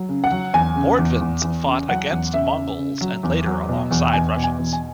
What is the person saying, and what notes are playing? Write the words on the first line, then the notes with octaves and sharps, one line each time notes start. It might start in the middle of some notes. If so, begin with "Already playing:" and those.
Mordvins fought against Mongols and later alongside Russians.
Already playing: F#3
C#3
F#5
F#3
E2 G#5
C#3
E2
E2
E2
C#3
F#3 F#5
E2
C#3 E5
C#3
C#3
F#3
E2
F#3
B2
E2
E2 G#5
B2
G#5
E2
G#5